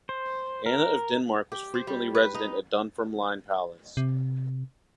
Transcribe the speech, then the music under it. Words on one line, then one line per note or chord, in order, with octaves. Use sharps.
Anna of Denmark was frequently resident at Dunfermline Palace.
C5
A#4
G4
C5
G3
B4
D#4
C3